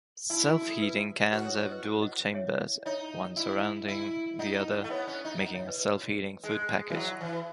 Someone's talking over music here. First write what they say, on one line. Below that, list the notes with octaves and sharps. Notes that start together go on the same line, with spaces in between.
Self-heating cans have dual chambers, one surrounding the other, making a self-heating food package.
D#4 E4
F#4
F#4
A4
B4
F#4 B4 D#5
A4 C#5
A4 C#5
B4 D#5
F#5
D#5 F#5
C#5 E5
D#4 C#5 E5
E4
E4
D#4 D#5 F#5
A3 F#5
B3 C#5 E5
C#4
D#4
E5
D#5 F#5
C#5 E5
B4 D#5
B4
F#4
G#3 D#4
E3
F#3
E3